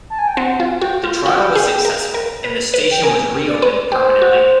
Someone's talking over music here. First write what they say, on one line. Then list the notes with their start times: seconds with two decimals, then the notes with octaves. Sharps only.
The trial was successful, and the station was reopened permanently.
0.10 A5
0.19 G#5
0.28 G5
0.37 C4 F#5
0.60 F4
0.81 F#4 G5
1.04 F4
1.25 F#4 G5
1.55 G#4
1.85 A#4
2.14 A#4
2.44 B4
2.74 B4
2.91 G5
3.03 A#4 G#5
3.48 D5
3.62 B4
3.92 G4 C5
4.22 F#4